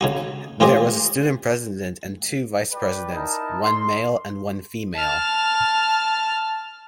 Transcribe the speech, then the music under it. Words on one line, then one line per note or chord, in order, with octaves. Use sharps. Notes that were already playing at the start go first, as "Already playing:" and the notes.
There was a Student President and two Vice-Presidents, one male and one female.
C#3 D#4 F#4
A2 F4 G4 G#4 C5 D#5
B4 D5 G5
D#4 E4 A#4 A5
C6
A5 F6